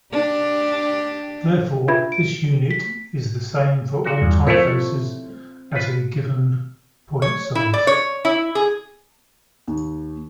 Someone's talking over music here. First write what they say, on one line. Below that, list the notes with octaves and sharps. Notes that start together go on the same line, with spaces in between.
Therefore, this unit is the same for all typefaces at a given point size.
D4 G4
D4 F4 B4 E5 B5 G#6
D7
B6
A#2 F#4
E2 G2
A#2 F3 A3 C4 E4 C#5
F4 B4
C#5
E4
D5
C#5
E4
G#4
D#2